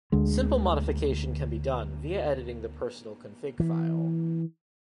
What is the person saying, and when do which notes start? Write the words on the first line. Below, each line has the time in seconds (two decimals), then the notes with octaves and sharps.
Simple modification can be done via editing the personal config file.
0.12 D2 D3 G#3
3.60 E3